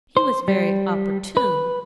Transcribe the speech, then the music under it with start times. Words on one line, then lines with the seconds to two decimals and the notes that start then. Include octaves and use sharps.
He was very opportune.
0.17 C5
0.48 G3
1.37 B4